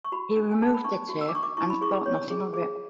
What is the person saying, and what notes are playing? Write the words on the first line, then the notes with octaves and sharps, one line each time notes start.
He removed the tape, and thought nothing of it.
C#6
F#4 B5
D4
G#5
A4 A5
B5
D4 C#6
F#4
E6
D6
D4 C#6
D6
E4 C#6
B5
G#4 C#6
C#5
G#4
G#4